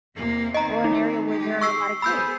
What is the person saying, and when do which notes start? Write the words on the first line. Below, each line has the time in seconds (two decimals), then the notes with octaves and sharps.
Or an area where there are a lot of kids?
0.13 E2 C3 A#3
0.54 D#3 B3 C4 D#5 A#5
0.84 D#4
1.27 G#3 G4
1.61 C#6 E6 C7
2.02 B3 G#4 C5 B5 E6 G6